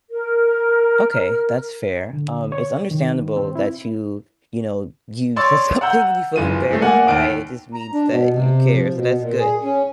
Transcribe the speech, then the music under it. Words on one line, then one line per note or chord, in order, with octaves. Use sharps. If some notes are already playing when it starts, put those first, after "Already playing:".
Okay, that's fair. Um, it's understandable that you, you know, you said something and you feel embarrassed by it, it just means that you care, so that's good.
A#4
D3
C#5
D#3
C4
E4
C#5 D5 C6 C#6 E6 A6
F#5 A#5 E6 G6
F#1 E3 F4 D#7
E3 G#3 A3
A#3 A#4 D5 F#5 G#5
D#2 D7
A#5
D4
B2
C3
F3
B2
A#2
G#4
C#4